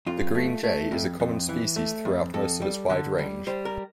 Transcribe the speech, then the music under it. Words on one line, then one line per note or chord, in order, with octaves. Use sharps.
The green jay is a common species throughout most of its wide range.
F2 F4
A3
A3
F2
F2
E3
A3
F2
F2 A4
G3
D3
G3
G3 C5
A#4